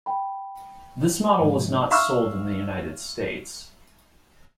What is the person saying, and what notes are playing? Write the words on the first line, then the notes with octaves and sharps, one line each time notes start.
This model was not sold in the United States.
G5 B5
G#2 F3 G#3
E5 F5 C6 C#6 E6 F6